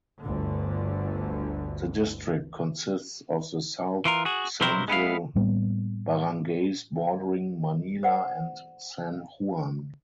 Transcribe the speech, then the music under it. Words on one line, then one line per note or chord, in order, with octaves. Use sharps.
The district consists of the south central barangays bordering Manila and San Juan.
G1 D2 D3
E3 F4 A#4
F#4 G#4
B1 C3 F#3 E4 A#4 C5
G#3 B3 E4 F5
A2 G3 A#3 B3
C5 D5 F#5